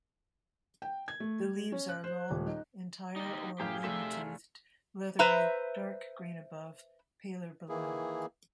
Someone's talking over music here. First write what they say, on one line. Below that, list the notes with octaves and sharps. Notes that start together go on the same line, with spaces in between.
The leaves are long, entire or wavy-toothed, leathery, dark green above, paler below.
G5
G#6
A3
G3
C#4
F#6
C5
D#1
D#4
D#4 G4
F#2 A2 G4 G#4 F5
F1 A3 G4 E5 E7
B4 C5 E5 A#5
D#3 E3 A#3 E4 G#4